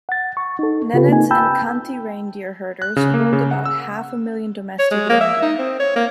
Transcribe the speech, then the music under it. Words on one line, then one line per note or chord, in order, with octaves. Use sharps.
Nenets and Khanty reindeer herders hold about half a million domestic reindeer.
F#5 A6
C#6
D#4 A4
C#3 F4 G4 A4 B4
A#3 C4 D#4 G#5
G5 A5 B5 E6 G6
F#6
C#3
A#3
C#3
F#5
E6
C#5
G#3
A#3
E5
D#4
C4
C#5
A#3